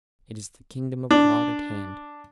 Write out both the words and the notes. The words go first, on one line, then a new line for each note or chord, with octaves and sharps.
It is the Kingdom of God at hand.
D4